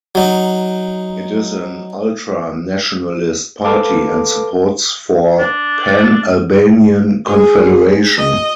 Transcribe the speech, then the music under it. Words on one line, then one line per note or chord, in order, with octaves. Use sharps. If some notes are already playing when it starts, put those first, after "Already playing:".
It is an ultra-nationalist party and supports for pan-Albanian confederation.
F#3 D#4
A4 B4 F5 A5 D6
D4
G#4
D#5